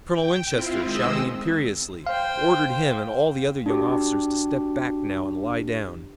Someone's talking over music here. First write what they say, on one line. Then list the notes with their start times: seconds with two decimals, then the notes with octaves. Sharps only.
Colonel Winchester, shouting imperiously, ordered him and all the other young officers to step back now and lie down.
0.12 G5
0.50 C4 E4 F4
0.81 D#3 G#3 C4 D#5 E6
2.07 C5 F5 G5
3.66 D4 F#4 G4